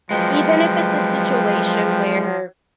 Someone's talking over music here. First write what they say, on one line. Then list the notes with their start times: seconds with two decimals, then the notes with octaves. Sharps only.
even if it's a situation where,
0.11 F3 F#3 G#3 B4 G5